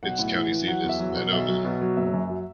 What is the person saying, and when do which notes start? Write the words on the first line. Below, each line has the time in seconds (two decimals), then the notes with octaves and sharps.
Its county seat is Mahnomen.
0.03 B1 F#5
0.19 A2
0.36 E3
0.51 E3
0.68 F#3 F#5
0.84 E2
0.89 E5
1.00 F#3
1.10 F#5
1.16 B2
1.32 B1 E5
1.48 F#3
1.65 B2
1.81 F#3
1.97 F#1 E5
2.13 F#2
2.30 F#3